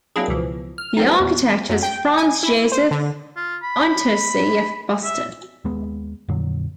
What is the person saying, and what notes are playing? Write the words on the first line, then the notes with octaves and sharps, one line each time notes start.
The architect was Franz Joseph Untersee of Boston.
F#3 A#3 C4 D4 E4 G#4
C#2 B2 E3 F3
F6
F#3 G3 B3 C4 D#4
E2 A#2
F#2
G5
G#5
E4
C5
D3
F4
B5
E5
D#2 G#3 B3
F2 A#2 D3 F#3